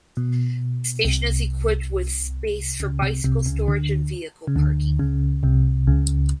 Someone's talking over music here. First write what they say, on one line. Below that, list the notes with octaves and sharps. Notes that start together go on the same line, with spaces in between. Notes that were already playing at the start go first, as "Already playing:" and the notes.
The station is equipped with space for bicycle storage and vehicle parking.
B2
C2 C3
C#2 C#3
C2 C3
C2 C3
C#2 C#3
D2 D3
C#3
D2 D3
C#2 C#3
C2 C3
C#2 C#3